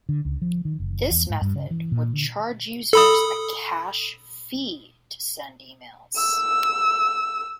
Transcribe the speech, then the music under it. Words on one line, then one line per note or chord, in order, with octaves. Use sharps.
This method would charge users a cash fee to send emails.
D3
C#2
F3
D#3
F#1
E2
G#2
G2
C#3
E3
A#2
D3
A4 B5 D#6
E6